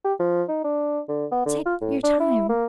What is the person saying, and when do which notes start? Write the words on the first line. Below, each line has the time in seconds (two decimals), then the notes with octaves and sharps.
Take your time.
0.05 G4
0.19 F3
0.48 D#4
0.64 D4
1.08 D3
1.32 B3
1.46 D3
1.66 F4
1.81 A2
2.03 D4
2.20 E4
2.49 A#3